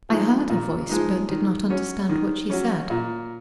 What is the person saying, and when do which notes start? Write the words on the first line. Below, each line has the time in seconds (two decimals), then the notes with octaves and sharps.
I heard her voice, but did not understand what she said.
0.09 F3 G#3 D#4
0.49 A#2
0.89 F3 G#3 D#4
1.29 D#3
1.70 F#3 C#4
2.09 D#3
2.50 F#3 C#4
2.90 A#2